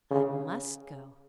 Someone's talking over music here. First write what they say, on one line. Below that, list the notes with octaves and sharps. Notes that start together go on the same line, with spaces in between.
I must go.
C#3